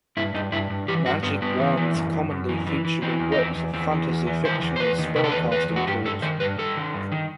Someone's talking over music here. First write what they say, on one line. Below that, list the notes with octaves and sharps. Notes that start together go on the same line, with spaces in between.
Magic wands commonly feature in works of fantasy fiction as spell-casting tools.
G2 E4
G2 D#4
G2 E4
G2
E3 G4
G2 F#4
G2 B3
G2 B3
E3
E3
F#2
F#2
F#2
E3
E3
E3
E3 C4
E2
D#4
E2 C4
E2
E2 C4
E3
E2
E3
D#3 C5
E2
C5
E2 B4
D#3
C3 B4
A4
B4
E2
E2 B4
E2
F#4
G2 G4
G2 A4
D#3 C5
G2 B4
G2 A4
D#3
G2
D#3